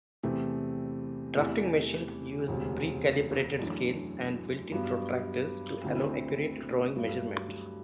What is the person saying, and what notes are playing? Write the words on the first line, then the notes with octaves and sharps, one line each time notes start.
Drafting machines use pre-calibrated scales and built in protractors to allow accurate drawing measurement.
E2 C3 E3 A3 C4
E2 C3 E3 A3
E1 D2 C3
F#2 E3 A3 D4
G2 F#3 B3
D2 D3 A3 C4 E4
G2 F#3 A3